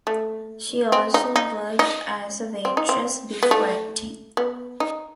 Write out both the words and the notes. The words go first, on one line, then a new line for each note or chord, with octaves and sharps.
She also worked as a waitress before acting.
A3
C4
D#4
D#4
D#4
C4
D#4
C4
B3
A3
B3
D#4